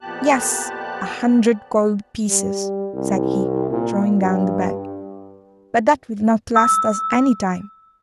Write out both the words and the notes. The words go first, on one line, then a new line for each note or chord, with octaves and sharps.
'Yes, a hundred gold pieces,' said he, throwing down the bag, 'but that will not last us any time.
F2 A#2 B3 G4 A5 F#6
G3
C2
A#2
G2
E6